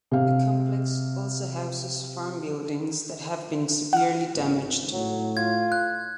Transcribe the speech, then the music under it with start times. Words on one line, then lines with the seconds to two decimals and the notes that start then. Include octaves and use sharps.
The complex also houses farm buildings that have been severely damaged.
0.12 C3 F5
3.93 F#5 F6
4.35 G#1
4.93 A2 F#3
5.37 F4 G#6
5.72 F#6